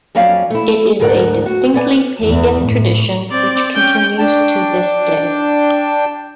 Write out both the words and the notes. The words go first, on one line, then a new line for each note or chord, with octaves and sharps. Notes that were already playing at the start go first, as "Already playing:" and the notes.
It is a distinctly Pagan tradition which continues to this day.
F2 F#3 C#4 D5 F5
A3 E4
D2 G#2 A#4 D5 F#5
F#4
B3 D5 G#5
E2
A2
C4 D5
C#4 G5
D4 G5 A5